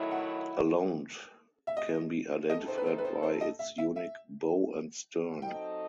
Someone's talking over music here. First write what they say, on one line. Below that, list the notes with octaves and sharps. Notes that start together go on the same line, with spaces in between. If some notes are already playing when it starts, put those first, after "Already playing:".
A londe can be identified by its unique bow and stern.
Already playing: D#3 F#3 A3 E4
F#5
E5
D#5
C3 D#3 A3 D#4 A4 D#5
C5
B4
C5
B4
C5
C5
D#5
E5
E5
E5
F#3 C4 D#4 A4 D#5 G5